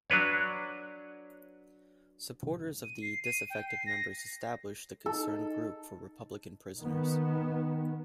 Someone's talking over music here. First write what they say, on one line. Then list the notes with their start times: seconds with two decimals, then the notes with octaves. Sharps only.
Supporters of the disaffected members established the Concerned Group for Republican Prisoners.
0.10 F#3 D4 B4 C#5
2.84 D#7
3.02 C7
3.24 D#7
3.50 G5
3.68 C7
3.86 A#6
5.06 D#4 A4
6.78 D#3 B3